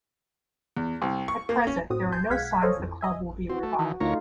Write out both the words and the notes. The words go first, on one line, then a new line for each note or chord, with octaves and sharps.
At present there are no signs the club will be revived.
E2
C2
C#6
A#3
C#4
A2 C4 F#4 D#6
G#5 A5 C6 G6
B1 G#3 F5 F#5 G#6 B6
A4 C5 C#5 D#5 F5 G#5
F2 E3
D#5 E5 G#5
C4 F#4
A3
D#3 E3
D2 A3 D#4 F4 A#4 C#5